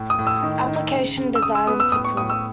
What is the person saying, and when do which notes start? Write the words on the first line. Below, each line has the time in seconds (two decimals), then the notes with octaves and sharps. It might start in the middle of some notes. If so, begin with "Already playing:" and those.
Application, design and support.
Already playing: A2
0.10 D#6
0.19 A2
0.27 E6
0.43 D#3
0.68 D#3
0.93 C#3
1.17 C#3
1.35 E6
1.42 C#3 D#6
1.55 E6
1.67 B3 D#6
1.80 E6
1.92 A2 D#6
2.05 C#6
2.17 A2 D#6
2.30 E6